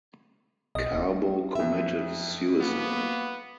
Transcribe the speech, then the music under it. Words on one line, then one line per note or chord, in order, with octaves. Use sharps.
Carbo committed suicide.
B1 D#5
D#1
F#1 F2 E5
A#3 B3